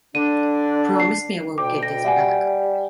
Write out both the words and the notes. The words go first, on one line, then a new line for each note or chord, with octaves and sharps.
Promise me I will get this back.
D3 D4 D#7
C7
D2 B2 G5 D6
A#6
G3 E5 F#5 G#5